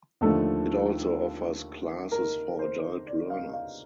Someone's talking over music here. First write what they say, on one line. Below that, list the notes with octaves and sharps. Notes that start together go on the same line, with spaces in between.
It also offers classes for adult learners.
D#2 D3 F3 A3 A4
A#4
C5
D5
F5
F5